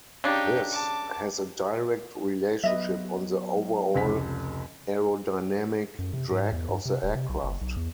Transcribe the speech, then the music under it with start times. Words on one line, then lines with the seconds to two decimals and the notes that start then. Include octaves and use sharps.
This has a direct relationship on the overall aerodynamic drag of the aircraft.
0.24 C#3 D4 D#4 G4
0.71 A5 D6
2.63 F#3 B3 B4 D#5 E5
3.94 F1 C#2 B6
5.99 F#2
6.13 C3
6.31 G#2
6.52 E2
6.69 G2
6.85 C3
7.03 D#1
7.15 C3
7.29 B1
7.43 F#1
7.61 B1
7.76 E2